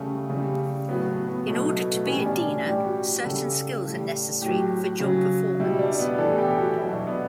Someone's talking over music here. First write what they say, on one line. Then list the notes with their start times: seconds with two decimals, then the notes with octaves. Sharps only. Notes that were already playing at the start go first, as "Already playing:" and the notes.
In order to be a diener, certain skills are necessary for job performance.
Already playing: C#3 G3 A3
0.30 C#3 G3
0.89 A2 F#3 B3
1.08 B3
1.28 B3
1.47 B2 F#3 A3
1.62 A3
1.77 B3
1.92 A3
2.06 A2 E3 G3 C#4
2.26 D4
2.46 D4
2.65 A2 G3 G4
2.84 F#4
3.24 C#3 G3 A4
3.83 A2 G3
4.41 A2 F#3 G4
5.00 C#3 F#3
5.60 B2 G3 E4
5.79 D4
5.99 B3
6.18 A2 E3 G3 A4
6.38 G4
6.58 F#4
6.77 B2 F#3 E4
6.92 D4
7.07 B3